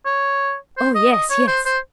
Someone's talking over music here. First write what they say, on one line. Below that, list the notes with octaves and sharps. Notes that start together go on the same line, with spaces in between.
"Oh, yes, yes!"
C#5
C5
D#5
D#5
C#5
C5
C5